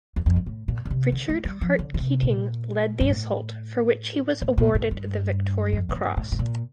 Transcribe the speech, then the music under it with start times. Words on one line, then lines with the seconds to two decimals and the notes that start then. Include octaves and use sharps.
Richard Harte Keatinge led the assault, for which he was awarded the Victoria Cross.
0.16 E2
0.26 F2
0.36 G2
0.46 A2
0.68 A#2
0.85 D3
0.90 C3
1.12 D3
1.29 A3
1.45 G3
1.61 F3
1.79 D3
1.94 D3
2.00 C3
2.22 A#2
3.00 G2
3.10 A2
4.42 A2
4.58 A#2
4.75 A2
4.91 G2
5.72 F2
5.89 A2
5.95 G2
6.17 A2
6.32 A2
6.39 A#2